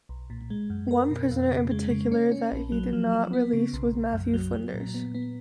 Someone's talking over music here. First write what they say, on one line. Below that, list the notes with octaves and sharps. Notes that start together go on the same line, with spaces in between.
One prisoner in particular that he did not release was Matthew Flinders.
B1
A#2
G#3
F#2
A#4
B2
F2
C#3
G#3
C#3
C#4
C#4
A#1
F#3
F3
F3
B3
C#3
B1
B1
F#2
F#3
F#3
A#2
B3
B3